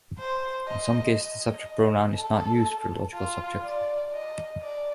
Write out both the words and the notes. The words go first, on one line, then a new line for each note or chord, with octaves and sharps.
In some cases, the subject pronoun is not used for the logical subject.
C5
D#5
D#5
A4
F4
D5
D#5
D5